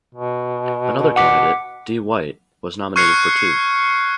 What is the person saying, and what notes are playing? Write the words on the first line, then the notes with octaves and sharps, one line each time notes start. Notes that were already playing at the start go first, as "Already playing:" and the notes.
Another candidate, D Whyte, was nominated for two.
B2
F#5 D6 B6
C#6 F6 F#6 G#6 C7 C#7